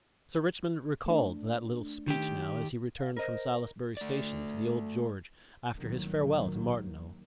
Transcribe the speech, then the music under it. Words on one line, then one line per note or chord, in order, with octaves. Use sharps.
Sir Richmond recalled that little speech now as he returned from Salisbury station to the Old George after his farewell to Martineau.
A3 D4
D#3 G4
F5
A#4 C5 D#5
A3 D5
C2 A2 D#3 F#3 A#3